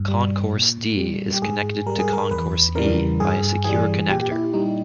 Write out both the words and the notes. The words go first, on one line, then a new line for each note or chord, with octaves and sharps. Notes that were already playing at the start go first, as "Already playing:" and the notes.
Concourse D is connected to concourse E by a secure connector.
Already playing: G2
G3
A#2
G3
G4
G#2 G#4
G3 A#4
G#4
A#4
E2 B4
C#3 E3 G3 A#4
G2 G#4
E3 G3 G#4
A#2 G4
G4
E4
G3 D#4